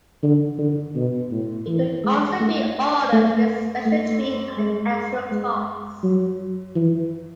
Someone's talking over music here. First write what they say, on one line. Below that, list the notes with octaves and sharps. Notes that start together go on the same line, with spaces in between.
It could also be ordered with special trim at extra cost.
D3
D3
B2
A2
E3
G#3
A3
A3
A3
G#3
G#3
F#3
E3